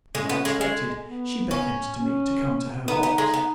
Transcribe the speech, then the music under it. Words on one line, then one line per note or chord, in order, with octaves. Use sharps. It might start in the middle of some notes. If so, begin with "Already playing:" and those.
As I expected, she beckoned to me to come to her box.
G#3 C#4
B3
G#3
G#3
B3
C#4
C#4
B3 D#4
B3
G#3
B3